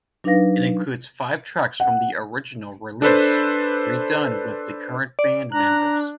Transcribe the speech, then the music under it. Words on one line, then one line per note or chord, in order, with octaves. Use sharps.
It includes five tracks from the original release, redone with the current band members.
F#3 D4 D#4 B4 F5 A#6
F#5
D4 A4 B4 C5
D5
D4 A#5 F#6